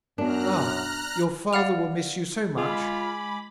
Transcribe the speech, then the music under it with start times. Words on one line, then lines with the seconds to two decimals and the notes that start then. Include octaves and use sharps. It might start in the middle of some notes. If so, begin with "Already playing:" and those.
'Ah,--your father will miss you so much!
0.18 F#2 B3 D4 A#4 A#5 F6 F#6
1.53 D5 F5 F#5 F6 F7
2.57 G#3 F4 G#5 B5 D6